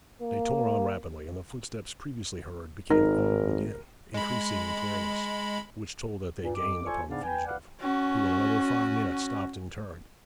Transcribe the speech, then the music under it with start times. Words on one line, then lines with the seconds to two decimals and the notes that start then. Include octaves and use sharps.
They tore on rapidly, and the footsteps previously heard became audible again, increasing in clearness, which told that they gained upon the fugitive, who in another five minutes stopped and turned.
0.22 A#3
2.90 G#1 D#4 A#4
4.14 G#3 B5
6.43 G2 A#2
6.55 F2 D6
6.85 F4 A4 C5 D5 G#5 C#6
7.09 G#2 C#3 B3 D4 D5 F5
7.23 B4 G5 G#5
7.46 B4 D5 F5 F#5
7.80 C#4 F#4